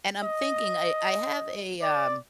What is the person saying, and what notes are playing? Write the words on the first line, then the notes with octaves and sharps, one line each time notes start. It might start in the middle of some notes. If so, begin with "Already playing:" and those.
and I'm thinking I I have a, um
D#5
D5